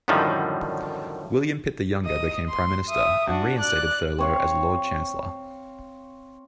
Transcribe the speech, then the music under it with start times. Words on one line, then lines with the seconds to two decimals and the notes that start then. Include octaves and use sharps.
William Pitt the Younger became Prime Minister and reinstated Thurlow as Lord Chancellor.
0.08 F#2 A2 D3 D#3 F3 G3
2.05 D#5 D#6
2.48 C6
2.89 E5 D#6
3.29 D4 F#4
3.59 D5 F#6
4.19 C4 C#5 F5